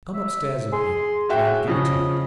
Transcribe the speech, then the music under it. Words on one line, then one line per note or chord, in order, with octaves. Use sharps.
"Come up-stairs with me, and I will give it to you."
E5
G#4 C6
F#4 E5 F#5 G5
C#3 F3 C#4 D#5